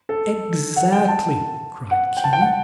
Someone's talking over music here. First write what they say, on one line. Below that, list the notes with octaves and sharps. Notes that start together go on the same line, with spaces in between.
"Exactly!" cried Kinney.
A4
F#5
G5
A5
F#5
G5
A5
G5
F#5